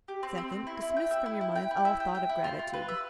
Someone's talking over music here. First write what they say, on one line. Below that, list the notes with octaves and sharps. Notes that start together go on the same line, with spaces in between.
Second, Dismiss from your minds all thought of gratitude.
G4
C4
C4
C4
E4
E4
G5
E5
E4
E4
G5
E4
E5
G5
G5
E4
F4
F4
B4
E5